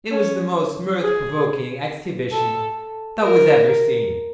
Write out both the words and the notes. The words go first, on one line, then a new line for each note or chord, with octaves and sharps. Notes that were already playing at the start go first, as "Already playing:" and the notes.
It was the most mirth-provoking exhibition that was ever seen.
C#4
G#4
A4
A#4